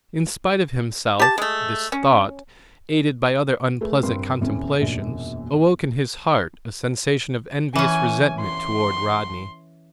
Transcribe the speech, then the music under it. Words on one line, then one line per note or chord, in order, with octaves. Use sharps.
In spite of himself, this thought, aided by other unpleasant contemplations, awoke in his heart a sensation of envious resentment toward Rodney.
G4 A5
G#3 A3
C#4
A3 G#4 B4
G2 C4 A#4 C6
D#1 E2 C4 C#4
E1 A#1 F#2 D4
E3 C#4 G#5
C6